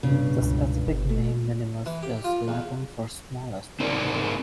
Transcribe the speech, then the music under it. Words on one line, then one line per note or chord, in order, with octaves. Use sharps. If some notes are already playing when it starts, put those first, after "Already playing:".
The specific name "minimus" is Latin for "smallest".
B1 G2 C#3
C#2
G1
A3
E3
G4
F4
E2
C4 D#4 A#4 D5